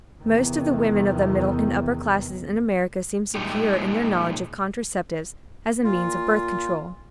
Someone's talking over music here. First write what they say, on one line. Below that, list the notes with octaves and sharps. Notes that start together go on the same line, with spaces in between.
Most of the women of the middle and upper classes in America seem secure in their knowledge of contraceptives as a means of birth control.
E2 C3 D#3
A#2 G3 G#3 D#4 G4
A#2 F4